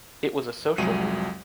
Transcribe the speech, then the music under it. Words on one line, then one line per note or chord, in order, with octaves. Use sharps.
It was a social move.
C2 F2 F#3 G#3 G#4 D#7